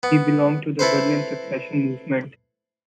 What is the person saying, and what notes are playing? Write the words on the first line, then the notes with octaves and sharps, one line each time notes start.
He belonged to the Berlin Secession mouvement.
B3
E4 A4 B4 C5